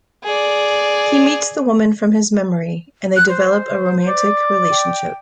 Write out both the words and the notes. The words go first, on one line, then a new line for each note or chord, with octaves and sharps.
He meets the woman from his memory, and they develop a romantic relationship.
G#4 D5
F#6
C5
D5
G5